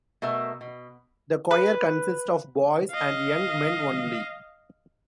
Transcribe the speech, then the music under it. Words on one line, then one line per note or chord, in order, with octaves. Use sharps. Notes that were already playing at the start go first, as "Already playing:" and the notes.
The choir consists of boys and young men only.
B2 A3 A#4 E5
B2
B4
D#5 F5